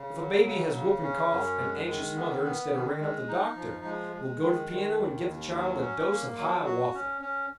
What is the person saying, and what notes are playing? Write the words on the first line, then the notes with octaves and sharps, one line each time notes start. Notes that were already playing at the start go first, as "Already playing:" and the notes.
If a baby has whooping-cough, an anxious mother, instead of ringing up the Doctor, will go to the piano and give the child a dose of Hiawatha.
Already playing: C#3
F#3
C#3
C#3
C#4
F#2
G#3
D#3
B3
B3
D#3
G#3
D#4
F3
G#3
G#3
D#3
D#3
D#2
D#2
F#3
C#4
A#3
F#3
F#4
C#4
C#4